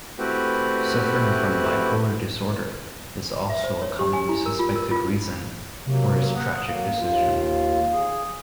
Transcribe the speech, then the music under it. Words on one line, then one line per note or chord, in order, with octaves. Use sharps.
Suffering from bipolar disorder is also a commonly suspected reason for his tragic decision.
A3 C4 E4 F#4 G4 B4
E5
C5
C#5
G4
G#5
E4
A#4
F4
A#4
F4
C3 F#3 A#3
F#5 D#6
F#3 A#3 F5
D#2 F4
G#4